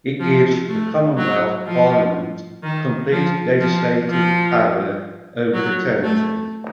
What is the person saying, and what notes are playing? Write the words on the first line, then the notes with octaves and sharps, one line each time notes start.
It gives the Commonwealth Parliament complete legislative power over the territories.
F3
A3
F#3
F3
D#3
F3
F3
F3
F#3
A3